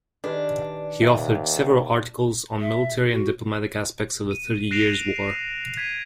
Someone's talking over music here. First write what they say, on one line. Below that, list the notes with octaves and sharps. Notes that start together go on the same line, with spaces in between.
He authored several articles on military and diplomatic aspects of the Thirty Years' War.
D#3 D4 G4 G#4 B4 D5
D#2 E5
E5
F#4
D#7
F#6 A#6 C7 D7 E7 F7
G#6 B6 D#7